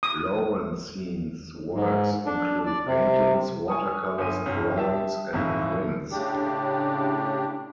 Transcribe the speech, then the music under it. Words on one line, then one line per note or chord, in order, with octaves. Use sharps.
Laurencin's works include paintings, watercolors, drawings, and prints.
D#6
G#2
D4
D5
C3
G#5 C#6 D#6
G1 G#5 D#6 D#7
G1 C2 F#2
G4 E5 A5
D#1 F2 G#2 E3 E5
A2 C#3 D4 G4